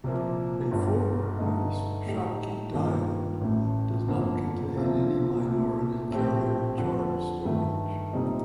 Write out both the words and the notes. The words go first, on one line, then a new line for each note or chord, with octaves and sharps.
A forward-biased Schottky diode does not have any minority carrier charge storage.
C2 A#2 F3 A#3
G1 G2 D3
G2 D3 A3 D#4
A2 A3 D#4 G4
G2 D#3 A#3 F4
A1 A2 A3
G1 F2 D3 F3 A#3
C2 A#2 F3 C4 F4
C2 A#2 A3
A#1 A2 A3 C4 G4
F2 D3 F3
G2 D#3 A3
C2 A#2 G3 C4 D#4